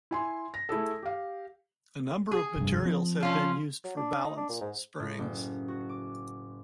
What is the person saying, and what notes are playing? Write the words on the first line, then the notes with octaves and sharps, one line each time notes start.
A number of materials have been used for balance springs.
E4 G#5 C6
A#6
A3 E4 G#4 A4
G4 F5
G#4
F1 G2
F3 C4
C#4 F4 A4
F#3
D4
D#4
D4
A#2
G#2
A2
F#1
F#4
D6